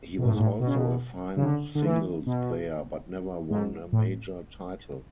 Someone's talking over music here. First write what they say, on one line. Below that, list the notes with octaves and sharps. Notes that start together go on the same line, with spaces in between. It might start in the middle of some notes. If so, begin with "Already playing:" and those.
He was also a fine singles player but never won a Major title.
B2
A2
G#2
A2
B2
C#3
B2
C#3
D3
D3
E3
B2
G#2
A2